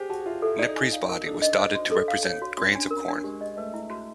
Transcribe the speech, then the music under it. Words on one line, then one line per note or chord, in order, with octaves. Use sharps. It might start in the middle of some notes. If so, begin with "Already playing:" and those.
Nepri's body was dotted to represent grains of corn.
Already playing: G4 G#4 C5
F#4 A5
F4 E5
E4 A4
D#4 D5
G#5
F5
A#4
D4 A4
D#5
C5
F#4
A4
F5
C#5
F#4
C#4 F#4
D4
A#4
D4
G#3 G4
D#5
A3 B4
E4
F#4